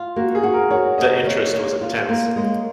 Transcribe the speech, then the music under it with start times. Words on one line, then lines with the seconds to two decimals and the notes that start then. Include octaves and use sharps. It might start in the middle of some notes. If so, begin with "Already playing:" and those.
The interest was intense.
Already playing: F4
0.16 A#3 F#4
0.35 G#4
0.43 F#4
0.53 A#4
0.70 F#4 C#5
0.98 A#3 D#5
1.26 A#3 C#5
1.53 A#3 C#5
1.81 F4
2.09 A#3
2.36 G#3